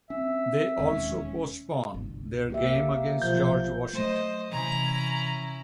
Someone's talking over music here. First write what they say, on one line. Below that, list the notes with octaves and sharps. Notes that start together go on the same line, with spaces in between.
They also postponed their game against George Washington.
C4 C#4 E5
E1 D#2 G#3 C#4
G1 C2
A#3 G4 E5
B1 F3 G6
F#3 A3 C5 D#5
C3 E3 C#4 E4 A#5